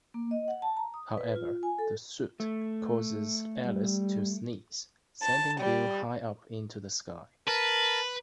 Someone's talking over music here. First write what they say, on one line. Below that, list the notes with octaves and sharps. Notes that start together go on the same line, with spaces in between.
However, the soot causes Alice to sneeze, sending Bill high up into the sky.
A#3
D#5
F#5
A5
A#5
D#6
B4
F4
F4
G#5
A4
A3
G3
A5
G3
A#4 B4 A5